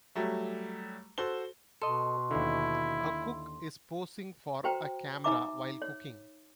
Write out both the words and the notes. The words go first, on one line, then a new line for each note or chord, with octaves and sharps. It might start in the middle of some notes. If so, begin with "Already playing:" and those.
A cook is posing for a camera while cooking.
F#3 G3 A3
F#4 A4 C5 G7
B2 A4 D#5 C6
D#2 D3 E4
F#4 B4 C5 G5 A#5
D#4 B4 E5 A#5 D6
C#5